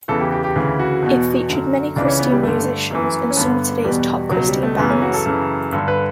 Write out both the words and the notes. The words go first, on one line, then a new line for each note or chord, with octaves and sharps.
It featured many Christian musicians and some of today's top Christian bands.
E2 C#3 E3 A4
G4
G4
G4
D2 C#3 E3
F#4
E2 B2
F#2 D3
C#2 C#3 E3 D4
C#4
B3
G3
G2 D3 A3
F#2 E3
C#4
G2 D3 B3
E2 B2 G3
C#2 B2 F#3
G3
A3
F#2 C#3 E3 B3
C#4
F#4
A4
F#2 C#3 E3
G2 D3 A4
B4